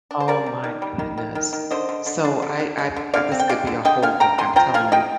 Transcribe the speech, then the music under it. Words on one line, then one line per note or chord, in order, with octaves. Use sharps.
Oh my goodness, so, I I've I've this could be a whole book, I'm telling you.
D4
C5
G3 A#4 D5
G3
D#3
G3
D#3
D#3
D#3
D#3
D3 C5 D#5
D3
D3
D4
D3
D4
G#3
D3
D3 D5 F5
C4
G5
G#3 D5 F5
D3
D3 D#5 G5
D3 F5 G#5
D3 G5 A#5
D3 G#5 C6
F3 G5 A#5
F3 F5 G#5
F3 D#5 G5